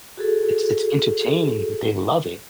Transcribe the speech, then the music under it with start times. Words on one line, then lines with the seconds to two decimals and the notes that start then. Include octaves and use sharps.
It's it's entertaining that they love it.
0.17 F#4 G#4 A4